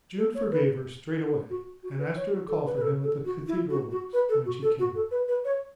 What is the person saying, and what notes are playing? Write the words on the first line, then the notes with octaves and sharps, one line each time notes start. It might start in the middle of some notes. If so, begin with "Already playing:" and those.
Jude forgave her straightway, and asked her to call for him at the cathedral works when she came.
A4
C#5
B4
F#4
F#4
B4
C#5
F#4
A4
B4
B4
A4
A4
F#4
E4
F#4
F#4
B4
A4
F#4
A4
F#4
A4
B4
B4
C#5